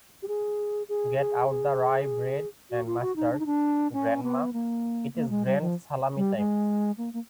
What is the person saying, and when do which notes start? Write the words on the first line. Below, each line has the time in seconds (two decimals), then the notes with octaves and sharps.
Get out the rye bread and mustard, Grandma, it is grand salami time!
0.22 G4
0.28 G#4
0.89 G#4
1.19 G#4
1.50 G#4
2.70 F#4
2.86 F4
3.01 F#4
3.16 D#4
3.32 D4
3.39 D#4
3.46 D4
3.93 C#4
4.23 B3
4.53 A#3
5.15 A#3
5.29 G#3
5.45 G3
5.61 F3
6.17 G3
6.36 G#3
6.97 A#3
7.13 A#3